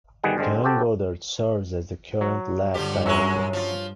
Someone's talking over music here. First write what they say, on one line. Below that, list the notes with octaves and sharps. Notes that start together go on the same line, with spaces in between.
Ken Goddard serves as the current Lab Director.
G1 B2 D#3 G3 G#4 F#5
G2 D3 G#3 C4
C4 F#4 G4 A4
F#3
G2 D3 F3 G4
F#2 F#3 G#3 C#4 C#5 E5
F3 F4